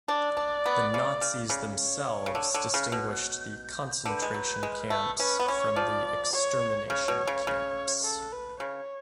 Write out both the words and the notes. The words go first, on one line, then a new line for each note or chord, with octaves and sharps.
The Nazis themselves distinguished the concentration camps from the extermination camps.
D4 D5
D4
B3
C#3
C#3
C#3
C#5
C#3
D3
D3
C#3
B2
D3 B4
G#3
F#3
G#3
A3
C#4 B4
B3
C#4 C#5
F3 D5
C#5
C#3 C#5
B2
C#3
C#3
A4
B4
C#3 C#5